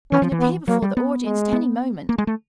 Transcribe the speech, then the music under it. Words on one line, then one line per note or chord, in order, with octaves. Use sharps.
I can appear before the audience at any moment.
E3 C#4
F3
E3
B3
F#3 A#3
G3
B3
G#3
B3
A#3
G#3
A3